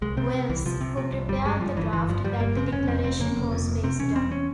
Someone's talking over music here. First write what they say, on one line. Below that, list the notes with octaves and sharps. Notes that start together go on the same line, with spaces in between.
Wells, who prepared the draft that the Declaration was based on.
C2 G#3
C3 C4
C3
C2 E3
C2 F3
C3
C3
C2
G1 G3
G2 G#3
G2 F3
G1 E3
G1 E3
G2 F3
G2 G3
G1 A#3
C#3 C4
C4
F1 C#4
F2 C4
F1 C4
C#3 A#3
F1
F2
F1
C3 C4
E1 C#4
E2 C4
C#4